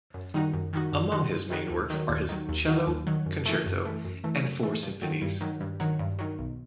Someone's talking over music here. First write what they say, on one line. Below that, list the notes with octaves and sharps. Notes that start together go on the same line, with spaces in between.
Among his main works are his "Cello" "Concerto" and four symphonies.
F#2
D#3 G3 D#4 F#4
F#2
D#3 G3 D#4 F#4
F#2
D#3 G3 D#4 F#4
F#2
D#3 G3 D#4 F#4
D#2
D#3 F#3
D#2
D#3 F#3
D#2
D#3 F#3
D#2
D#3 F#3
F#2
E3 A3
F#2
E3 A3
F#2
E3 A3
F#2
E3 A3
G2
D#3 F#3
G2
D#3 F#3
G2
D#3 F#3
G2
D#3 F#3
B1